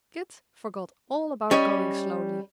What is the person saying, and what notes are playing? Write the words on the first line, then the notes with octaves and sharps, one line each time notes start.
Kit forgot all about going slowly.
G3 C#4 C#5 D#5